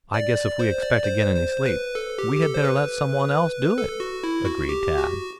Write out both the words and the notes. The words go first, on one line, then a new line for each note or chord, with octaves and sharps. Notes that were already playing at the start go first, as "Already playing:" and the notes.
"I guess if we expect to get any sleep we had better let some one else do it," agreed Tad.
D5
D5
C5
D5
C5
C5
B4
A4
G4
G4
A4
C5
B4
A4
F#4
E4
F#4
G4
F#4